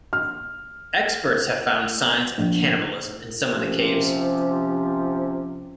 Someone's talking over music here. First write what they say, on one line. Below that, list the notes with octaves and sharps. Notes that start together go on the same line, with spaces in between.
Experts have found signs of cannibalism in some of the caves.
F6
A#1
C3 F3 C#4